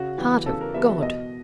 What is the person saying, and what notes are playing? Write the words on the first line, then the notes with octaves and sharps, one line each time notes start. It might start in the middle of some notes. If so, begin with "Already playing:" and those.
Heart of God!
Already playing: C#3 F#4
E3 G3 B3 G4
C#3 A4
A#4
E3 G3 B3 E5
E5
B2 D#5